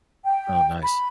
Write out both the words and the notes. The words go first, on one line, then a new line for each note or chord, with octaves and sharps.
Oh, nice.
G5
B5